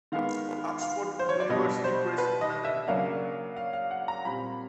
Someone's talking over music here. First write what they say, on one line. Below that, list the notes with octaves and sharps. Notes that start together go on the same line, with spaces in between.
Oxford University Press, London.
D#3 G#3 B3 F5
F5
C5
C#5
D5
B2 G3 B3 D4 D#5
C5
B4
D#5
E5
C#3 F#3 A#3 D4 F5
F5
F5
F#5
A#5
A#2 G3 C4 B5